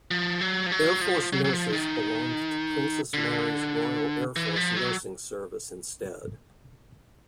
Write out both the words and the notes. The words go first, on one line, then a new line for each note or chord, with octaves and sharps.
Air Force nurses belonged to Princess Mary's Royal Air Force Nursing Service instead.
F3
F#3
F3
F#3
F3
F#3
F#3
F3
D#3
D3
E3
F3
F#3